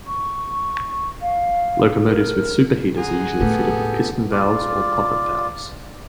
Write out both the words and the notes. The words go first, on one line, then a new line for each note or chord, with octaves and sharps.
Locomotives with superheaters are usually fitted with piston valves or poppet valves.
C#6
F5
A#4
G#4 F#5 A#5 C6
A2 A3 B3 G4 A4
F4 D5